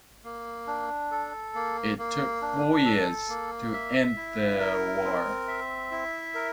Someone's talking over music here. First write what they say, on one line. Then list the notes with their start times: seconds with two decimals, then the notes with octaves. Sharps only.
It took four years to end the war.
0.24 A#3
0.67 D4
1.11 A4
1.55 A#3
1.98 A#3
2.42 D4
2.85 A4
3.29 A#3
3.73 E5
4.16 E4
4.60 A#4
5.04 C4
5.48 E5
5.91 E4
6.35 A#4